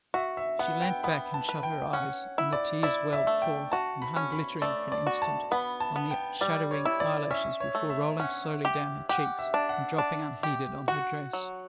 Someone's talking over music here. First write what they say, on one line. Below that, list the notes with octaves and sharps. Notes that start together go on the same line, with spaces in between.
She leant back and shut her eyes, and the tears welled forth, and hung glittering for an instant on the shadowing eye-lashes before rolling slowly down her cheeks, and dropping, unheeded, on her dress.
F#4 E5
E5
B3 F#5
G5
B3 B5
A5
B4
G5
C#4 F#5
E4
D5
E4 D5
E5
A3
G5
F#4 A5
B5
C#4
B5
A3 D5
D5
F#4
A5
B3 B5
A5
B3
G5
G3 D5
C#5
E4
D5
C#4 E5
C#5
A3
E5
C#4 F#5
G4
G4 F#5
E5
D4
F#5
D4
G4
F#4 F#5
F#3